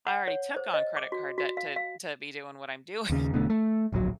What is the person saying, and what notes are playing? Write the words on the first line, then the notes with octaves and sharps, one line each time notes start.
I already took on credit card debt to to be doing what I'm doing,
F#5
C#5
C5
D#5
D6
F#4
F#4
F5
F5
D#2 C#3
E1 B2 D3 A3
A3
D1 A#1 B2 F#3